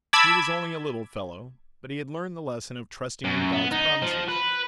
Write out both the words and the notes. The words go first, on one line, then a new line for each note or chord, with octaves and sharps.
He was only a little fellow but he had learned the lesson of trusting in God's promises.
A5 B5 D6 E6 G#6
F#2
B3
D#4
F3
B4